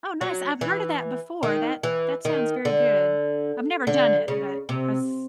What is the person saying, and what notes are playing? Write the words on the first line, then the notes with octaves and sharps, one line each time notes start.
Oh, nice. I've heard of that before. That that sounds very good. I've never done it, but I s
F#3
E3
D#3
E3
D#3
D3
D3
C#3
C3